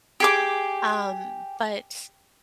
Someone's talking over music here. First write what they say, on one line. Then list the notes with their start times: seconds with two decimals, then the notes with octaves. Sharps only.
um, but,
0.20 G4 G#4 D6